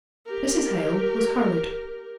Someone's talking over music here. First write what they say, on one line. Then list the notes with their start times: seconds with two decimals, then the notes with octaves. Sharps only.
Mrs. Hale was hurried.
0.26 G4 A#4